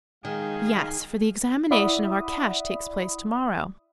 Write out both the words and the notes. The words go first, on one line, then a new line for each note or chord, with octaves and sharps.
"Yes; for the examination of our cash takes place to-morrow."
D#3 G#3 D#4 G#4 F5
E4 D5 E5 F#5 B5 D#6